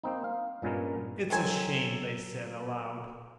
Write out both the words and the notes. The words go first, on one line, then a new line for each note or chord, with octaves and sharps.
"It's a shame!" they said, aloud.
A#3 C4 D#4
F5
G2 A#2 G#3 B3 C#4 A#4
D#3 F#3 A4 C5 G#5